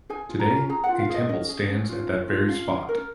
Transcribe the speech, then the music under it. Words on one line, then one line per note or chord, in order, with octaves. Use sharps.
Today a temple stands at that very spot.
G#4 G#5
F4
A#5
C#4
G#4 A#5
F#5
F4
F5
G#4 D#5
C#4 D#5
G#4
C#4
F4
C#4
F4
C#4 F5
C#4
A#4